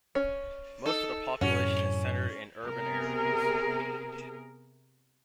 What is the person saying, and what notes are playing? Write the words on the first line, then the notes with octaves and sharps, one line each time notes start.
Most of the population is centered in urban areas.
C#4
D#4 A4
F#2 A2 C3 C#4 F#4 F#5
C3 B3 G#4 A#4